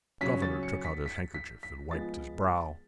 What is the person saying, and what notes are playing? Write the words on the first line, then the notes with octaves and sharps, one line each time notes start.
The governor took out his handkerchief and wiped his brow.
C#3 F#3 C#4 B6
A6
C#7
B6
B6
B6
B6
F3 G#3 B3 A6